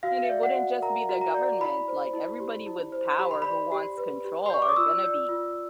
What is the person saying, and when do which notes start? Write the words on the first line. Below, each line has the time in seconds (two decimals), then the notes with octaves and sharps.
And it wouldn't just be the government, like, everybody with power who wants control are gonna be
0.03 F#4 F5
0.17 F5
0.23 E5
0.29 D5
0.43 F#5
0.56 F#4
0.82 A#4 A#5
1.09 F#4
1.21 A#5
1.34 D5
1.61 E4 B5
1.88 C5
2.13 E4
2.40 G4
2.66 E4
2.92 C5
3.19 G4 B5
3.31 C6
3.42 D5 B5
3.72 G4
3.98 B4
4.24 G4
4.46 C6
4.50 D5 C#6
4.62 D6
4.69 D#6
4.76 F4 E6
5.03 D5
5.29 F4